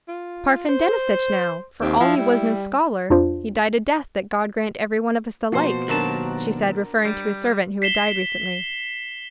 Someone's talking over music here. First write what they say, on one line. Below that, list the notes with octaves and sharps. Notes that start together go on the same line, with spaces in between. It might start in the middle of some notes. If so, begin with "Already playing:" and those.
"Parfen Denisitch now, for all he was no scholar, he died a death that God grant every one of us the like," she said, referring to a servant who had died recently.
F4
C5
D#2 C4
F3 E4
G3
F2 D4 F4 C5
B2 F3 A#3 F#4 C5 C7
D#2 F#3 D4 A#4 A5
G3
B6 C7 E7 G7